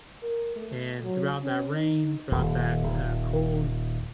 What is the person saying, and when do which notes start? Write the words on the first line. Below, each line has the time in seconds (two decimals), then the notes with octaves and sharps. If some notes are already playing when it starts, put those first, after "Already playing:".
And throughout that rain, throughout that, uh, cold,
0.23 A#4
0.55 A3
1.04 F#3
1.42 C#4
1.73 D#4
2.31 D#1
2.83 D#1